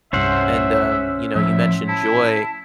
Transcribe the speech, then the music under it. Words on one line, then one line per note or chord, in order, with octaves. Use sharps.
And, um, you know you mentioned joy
C2 G2 C#4 C5 E5 F#5
A2 F3 E5
E4 A5